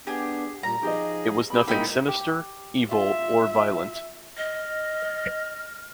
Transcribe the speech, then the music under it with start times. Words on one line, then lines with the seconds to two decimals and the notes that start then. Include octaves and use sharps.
It was nothing sinister, evil or violent.
0.07 B3 D4 G4 G#4
0.63 A#2 G3 A#5
0.83 F3 D#4 G4 G#4 D#5
1.50 G4 B5
1.67 A#2 G#3 A#3 D#4 E4 G5 B5
2.09 G4
2.92 F4 E5
4.37 D#5 F6